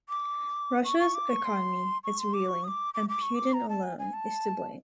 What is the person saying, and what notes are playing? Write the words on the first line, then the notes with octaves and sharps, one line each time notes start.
Russia’s economy is reeling and Putin alone is to blame.
D6
C#6
C#6
D6
C#6
C6
C#6
C6
D6
C#6
D#6
D6
D6
D6
C#6
D6
A#5
A5
G#5
G#5
A5